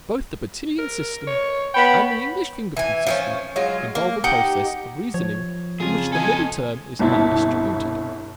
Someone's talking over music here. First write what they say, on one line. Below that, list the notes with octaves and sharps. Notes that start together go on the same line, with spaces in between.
Both the Bertillon system and the English fingerprint system involve a process of reasoning in which the middle term is undistributed.
A#4
C#5
B3 C#5 G5 B5
E3 G#5
F3 B3 C#4
F#3 G#3 F4
A#3
D#4 G4 F#5 G5
F3 C#5
F2 C#3 F4 G#4
A4 D#5 G#5
G1 C2 B2 E4 A5